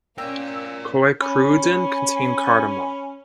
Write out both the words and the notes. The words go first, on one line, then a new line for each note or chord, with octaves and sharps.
"Koekkruiden" contain cardamom.
A#3 C#4 A#4 D5 G5 E6
C#4 B5